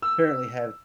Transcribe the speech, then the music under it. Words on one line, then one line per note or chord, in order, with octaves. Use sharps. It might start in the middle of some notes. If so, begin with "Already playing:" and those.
apparently have
E6